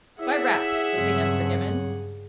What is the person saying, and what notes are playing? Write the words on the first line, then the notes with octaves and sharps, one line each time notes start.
"By raps," was the answer given.
E4 G#4 C#5 E5 F#5 D6
G2 C#3 F#3 C4 C#5